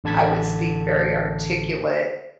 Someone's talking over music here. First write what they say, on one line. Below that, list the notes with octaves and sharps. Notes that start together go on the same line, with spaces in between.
I would speak very articulate,
A1 D3 A5 G#6 B6